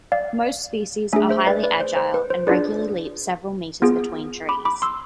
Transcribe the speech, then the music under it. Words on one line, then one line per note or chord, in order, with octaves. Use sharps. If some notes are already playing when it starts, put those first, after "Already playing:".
Most species are highly agile, and regularly leap several metres between trees.
D5 F5
A3 D4 G#4 E5 G#5
C5 E5
B4 D5
B4 D5
C5
C5
B4
C5
D4 F4 G#4 B4 D5
B3 F4 G#4
B5 D6
B5 D6
C6 E6